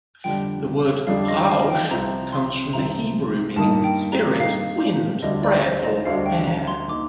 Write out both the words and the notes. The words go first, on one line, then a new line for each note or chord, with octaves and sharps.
The word "Ruach" comes from the Hebrew meaning "spirit", "wind", "breath", or "air".
F2 D3 G3 D4 G5
F2 D3 G3 D4 F5
F5
D#5
F5
G5
C2 C3 F3 C4 A#5
C6
C2 C3 F3 C4 A#5
G2 D#3 A#3 D#4 A5
G5
A#5
G2 D#3 A#3 D#4 F5
D2 D3 G3 D4 D#5
D5
C5
D#5
D2 D3 G3 D4 F5
G5
A#5
C6
D#3 A#3 D#4 D6